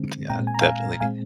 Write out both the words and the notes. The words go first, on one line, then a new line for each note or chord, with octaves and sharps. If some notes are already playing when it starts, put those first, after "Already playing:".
Yeah, definitely.
Already playing: D3 G#3 C4
A#2 G#3 C4 G5 A#5
G#5
A#5
F5 G#5
A#2 G#3 C4 F5 G#5